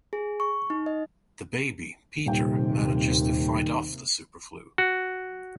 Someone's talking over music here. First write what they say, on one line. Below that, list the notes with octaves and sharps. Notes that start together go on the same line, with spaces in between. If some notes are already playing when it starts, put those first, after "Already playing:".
The baby, Peter, manages to fight off the Superflu.
G#4
C#6
D#4
D#5
D#1 D#2 C3 D#3 G5
F#4